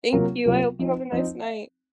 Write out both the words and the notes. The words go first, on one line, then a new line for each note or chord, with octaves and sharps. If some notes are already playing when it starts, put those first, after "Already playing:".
Thank you, I hope you have a nice night.
C3 F#3 A#3 F4 A#4
C3 F#3 A#3 F4 A#4
F3 C4 D#4
F3 C4 D#4